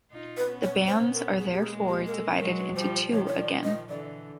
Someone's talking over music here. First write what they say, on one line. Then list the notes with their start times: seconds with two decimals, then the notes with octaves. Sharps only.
The bands are therefore divided into two again.
0.12 D#4 F4
0.37 B4
0.50 B3 C#4
0.63 C#5
0.87 C5
1.13 A#4
1.38 G#4
1.52 G4
1.62 G#3 A#3 G#4
1.88 G4
2.07 A#4
2.14 A4
2.39 F#3 G#3 A#4
2.57 B4
2.76 F3 G3 C5
2.95 C5
3.13 D#3 F3 C#5
3.27 C#5
3.39 D5
3.64 D#5
3.88 D3 E3 D5